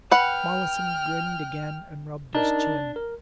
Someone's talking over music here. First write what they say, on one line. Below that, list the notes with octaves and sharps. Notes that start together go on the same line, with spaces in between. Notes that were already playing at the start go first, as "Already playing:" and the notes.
Mollison grinned again and rubbed his chin.
B4 F#5 G5 F6
D4 D#4 A#4
A#4